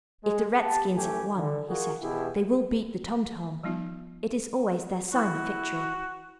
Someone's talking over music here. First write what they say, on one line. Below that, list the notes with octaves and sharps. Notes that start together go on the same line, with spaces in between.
'If the redskins have won,' he said, 'they will beat the tom-tom; it is always their sign of victory.'
G#3
G4 A5
F#2 E3 A3 G4 G#5
D3
F4 F#4 G#4 A#4
B2 E3 E4 G4 G#4
F3 G3 B3 D#4 F4
E4 F#4